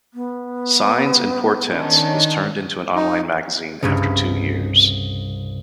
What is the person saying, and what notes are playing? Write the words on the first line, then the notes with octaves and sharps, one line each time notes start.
"Signs and Portents" was turned into an online magazine after two years.
B3
D#3 C#4 D4
D#4
C2 G2 C#3